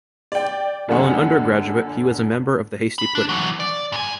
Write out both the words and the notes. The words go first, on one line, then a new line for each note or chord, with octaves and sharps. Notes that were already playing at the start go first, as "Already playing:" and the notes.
While an undergraduate, he was a member of the Hasty Pudding.
D5 G5
F#1 F#2 D3 F#5
B5
D4
E3 F#3
D5
G#2 G#5